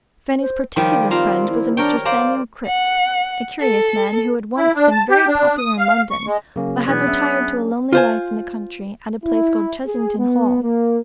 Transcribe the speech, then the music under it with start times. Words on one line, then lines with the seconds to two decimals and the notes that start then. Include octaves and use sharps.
Fanny's particular friend was a Mr. Samuel Crisp, a curious man who had once been very popular in London, but had retired to a lonely life in the country at a place called Chesington Hall.
0.41 C5
0.76 D#3 F3 G3 G5
1.11 C4 F4 F5 A#5
1.50 E4
1.77 D4 A#4 C#5 G5
2.05 C5 D5 F5 A#5
2.67 F#5
3.60 A4
4.57 E4
4.75 D4
4.91 A5
5.10 G4
5.28 D4
5.58 D#6
5.78 F5
6.10 C#6
6.27 G#3
6.56 C#3 F#3 A#3 C#4
6.87 B2 E3 B3 D4 G#4 D5 G#6
7.08 C#4 E5
7.93 F4 C5 G#5
9.23 E4
9.85 G#4
10.19 B3
10.62 A#3